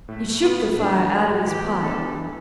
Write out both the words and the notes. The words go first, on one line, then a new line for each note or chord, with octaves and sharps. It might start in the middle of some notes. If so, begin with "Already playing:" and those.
He shook the fire out of his pipe.
A2 A3
A3
B3 E4
A2
A2 D4
E3
A3
A2
E3 G4
B3
D4 A4
E3
E3